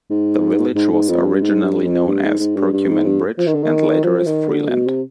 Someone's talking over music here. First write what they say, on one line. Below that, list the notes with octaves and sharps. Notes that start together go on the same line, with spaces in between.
The village was originally known as Perkiomen Bridge and later as Freeland.
G#2
G#2
G#2
F2
G2
G#2
G2
F2
G2
G#2
G#2
G2
G2
G#2
G2
F3
D#3
D3
D#3
F3
D#3
D3
B2
C3